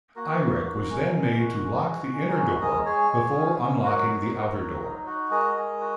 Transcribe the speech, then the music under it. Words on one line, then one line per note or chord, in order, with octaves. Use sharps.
Eirich was then made to lock the inner door before unlocking the outer door.
A#3 F#4 A#4
A#3
F#4
G#3
G#3
F#4
G#3
F#4
G#3
A#4
F#4 G#4
G#3 A#4 D#5
G#3 G#4 C#5
G#3
C#4
C#4
F#3 F#4 A#4
D#4
F#4
F#3
D#4
F#4
G#3 A#4 D#5
G#3
F#4